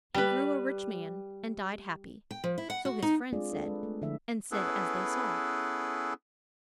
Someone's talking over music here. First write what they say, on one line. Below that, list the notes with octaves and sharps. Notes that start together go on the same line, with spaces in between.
He grew a rich man, and died happy--so his friends said, and said as they saw.
G3 B4
G5
F3
E4
F#5
F#4
D#4
G#3 C4 D4 F4 G#4 D5
D4 F4 A4
G#3 B4
A3
D3 F3 E4 E5
B3 C#4 E4 G#4 A4 B4